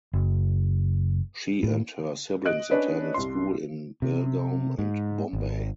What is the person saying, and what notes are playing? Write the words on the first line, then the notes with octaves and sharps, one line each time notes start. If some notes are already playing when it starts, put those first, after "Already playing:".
She and her siblings attended school in Belgaum and Bombay.
F#1
A2
D#5 F#6 D7
C#4 D4 B4 C#5 D#5
C2 C6
C3
G#2
G#1